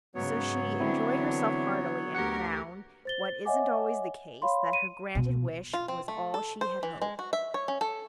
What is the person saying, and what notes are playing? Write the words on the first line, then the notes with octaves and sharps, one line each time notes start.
So she enjoyed herself heartily, and found, what isn't always the case, that her granted wish was all she had hoped.
G#2 C#3 F#3 B3 C#5
D3 E3 C4 D4 E4
D2 G4 A#4 F#5 C#7
C5 A6 G7
C#5 D#5 E5 F#5 G#5 D6
C#5 F5 B5 C6
D#7
B2
F4
C4
A3
A4
C5
E3
G#3
F#4
E5
C#5
C#4
A4